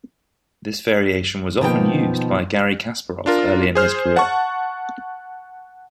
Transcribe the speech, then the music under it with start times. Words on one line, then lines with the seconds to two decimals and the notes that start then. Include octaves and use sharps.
This variation was often used by Garry Kasparov early in his career.
1.61 B2 D#3 F3 A#3 D#5 G5
3.26 D4 F4 A#4
3.75 G#4 C5 F6
4.17 F#5 A5 C#6